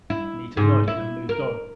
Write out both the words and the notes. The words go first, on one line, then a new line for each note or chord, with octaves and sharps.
Anita nodded and moved on.
E4
G#2
E4
A#4